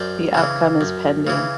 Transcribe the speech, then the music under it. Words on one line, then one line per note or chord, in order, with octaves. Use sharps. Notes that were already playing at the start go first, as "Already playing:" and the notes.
The outcome is pending.
Already playing: F#2 C5 D5
C#3 E3
F#2
C#3 E3